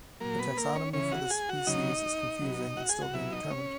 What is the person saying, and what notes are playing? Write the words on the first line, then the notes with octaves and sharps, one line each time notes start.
The taxonomy for this species is confusing and still being determined.
A#2 F#3 A#3 A#4
B3 B4
A#3 A#4
C#4 C#5
C#3 E3 C#4 C#5
F#4 F#5
G#4 G#5
F#4 F#5
C#3 F#3 D#4 D#5
B2 F#3
F#4 F#5
G#4 G#5
F#4 F#5
B2 F#3 E4 E5
D#4 D#5
C#4 C#5